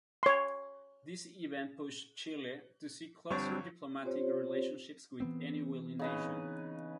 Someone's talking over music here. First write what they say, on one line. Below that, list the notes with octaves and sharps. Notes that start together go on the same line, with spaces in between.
This event pushed Chile to seek closer diplomatic relationships with any willing nation.
C#5 C6
G1 G3 C4 D4 C#5 C#6
C4 F4 G4 C5 C#5
E3 B3 C4
C#3 D#4 B4